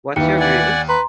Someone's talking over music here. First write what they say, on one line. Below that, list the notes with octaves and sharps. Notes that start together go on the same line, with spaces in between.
What’s your grievance?
D#2 E3 C#7
D5 F#5 G#5
B4 A#5 C6